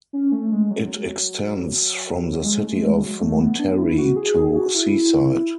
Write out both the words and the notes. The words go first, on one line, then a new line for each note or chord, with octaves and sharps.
It extends from the city of Monterey to Seaside.
C#4
A3
G#3
F#3
F#3
G#3
A3
G#3
F#3
A3
B3
D4
E4
F#4
G#4
G#4
F#4
E4